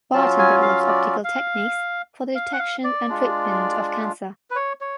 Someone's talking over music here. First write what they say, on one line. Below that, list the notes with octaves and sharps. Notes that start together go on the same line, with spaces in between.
Barton develops optical techniques for the detection and treatment of cancer.
F#3 C#4 F4 A5
G#5
F5
D5
F5
F5
F#5
F5
D5
G#3 D4 F4
B4
C#5
C#5